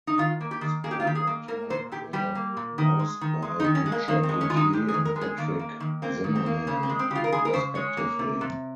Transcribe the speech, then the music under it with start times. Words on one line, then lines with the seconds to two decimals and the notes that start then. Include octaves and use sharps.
Spike and Tyke were voiced by Richard Gautier and Patric Zimmerman, respectively.
0.07 D#4
0.18 D#3 F4
0.41 A#3
0.51 G4
0.61 D#3
0.84 A#3 G#4
0.91 G4
1.00 F4
1.05 D#3 G4
1.15 G#4
1.27 A#3
1.48 A#3 A#4
1.70 A#2 C5
1.92 A#2 G4
2.13 G3 G4
2.35 A#3
2.57 A#2
2.78 D#3
3.00 G#3
3.21 D#3
3.42 G#3
3.60 D#4
3.64 D#3
3.75 C#4
3.86 G#3
3.92 A#3
4.08 D#3 A#3
4.23 C4
4.29 G#3
4.41 C#4
4.50 D#3 F4
4.57 D#4
4.73 G#3 G4
4.88 G#4
4.94 D#3
5.05 A#4
5.16 G#3
5.21 G#4
5.37 D#3 A#3
5.59 A#3
5.80 D#3
6.02 A#3 C4
6.24 D#3
6.35 C4
6.46 A#3
6.67 C#3 C#4
6.83 C4
6.89 G#3
6.99 C4
7.10 C#3 G4
7.15 F4
7.24 A#4
7.32 G#3 G#4
7.45 A#4
7.53 C#3 C5
7.75 G#3 C#5
7.97 A#3
8.19 C3
8.41 C3